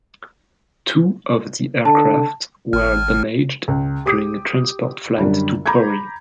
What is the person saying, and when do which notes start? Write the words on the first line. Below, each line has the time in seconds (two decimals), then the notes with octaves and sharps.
Two of the aircraft were damaged during a transport flight to Pori.
1.85 D3 A5
2.73 G#1 F6
3.68 C#2
4.06 G4 D6 D#6
5.18 F#2 D3 G3 D4
5.66 A#5 B5 D6 G6 G#6